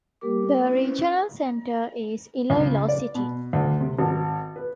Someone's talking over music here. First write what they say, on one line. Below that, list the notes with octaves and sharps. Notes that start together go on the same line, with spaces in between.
The regional center is Iloilo City.
G3 A#3 G4 A#4 D6
C#4 E4 B4 C5
C#2
D5
B2
D2
C3
G#1
B4